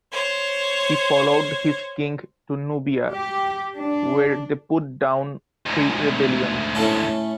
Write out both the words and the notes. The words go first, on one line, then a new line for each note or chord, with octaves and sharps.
He followed his king to Nubia, where they put down three rebellions.
C5 C#5
G4
D4
D2 G#2
A2 A3 C#4